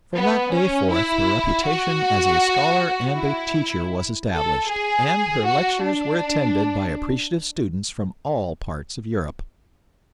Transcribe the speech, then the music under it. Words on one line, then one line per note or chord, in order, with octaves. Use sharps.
From that day forth her reputation as a scholar and a teacher was established, and her lectures were attended by appreciative students from all parts of Europe.
B3
C#4
E4
F#4
E4
A4
G#4
F#4
D4